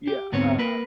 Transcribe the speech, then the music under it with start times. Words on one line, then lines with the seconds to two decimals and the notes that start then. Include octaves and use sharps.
Yeah, uh
0.08 G4
0.32 D2 G#2 B3 C4 C#5
0.58 A#3 A#4 B4